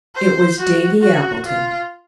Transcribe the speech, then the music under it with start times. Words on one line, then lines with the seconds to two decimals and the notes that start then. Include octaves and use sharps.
It was Davy Appleton.
0.15 C5
0.59 F#4
1.01 F#4
1.45 F4